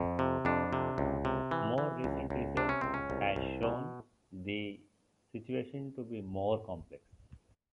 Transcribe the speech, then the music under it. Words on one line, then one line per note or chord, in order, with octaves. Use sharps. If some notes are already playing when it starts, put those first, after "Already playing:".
More recent research has shown the situation to be more complex.
Already playing: F2
C3
F2 D4
C3
C#2
C3
E3
E3
C#2
C#2
C3 D4
C#4
C#2 C4
C#4
C2
C2
B2